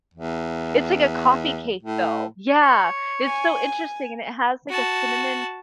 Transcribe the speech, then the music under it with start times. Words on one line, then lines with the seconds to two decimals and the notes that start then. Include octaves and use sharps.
It's like a coffee cake, though. Yeah. It's so interesting and it has, like, a cinnamon,
0.14 E2
1.83 A2
2.62 C#5
3.25 G#5
4.69 F#4 A5